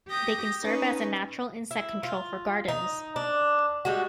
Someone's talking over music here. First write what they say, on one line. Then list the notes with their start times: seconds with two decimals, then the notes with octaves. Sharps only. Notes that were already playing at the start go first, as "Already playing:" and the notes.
They can serve as a natural insect control for gardens.
0.11 G4 D#6 G6 A#6
0.63 C#4 D#4 B4
1.71 E4
2.03 F4
2.68 D#4
3.16 D4
3.85 G3 G#3 F#4